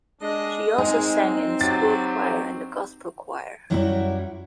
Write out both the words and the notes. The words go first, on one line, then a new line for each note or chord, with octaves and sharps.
She also sang in a school choir and a gospel choir.
G#3 D4 G#4 D#5
G#3 C4 D#4 G#5
F#3 G4 A6
F#2 F#3 G3 E4 F#4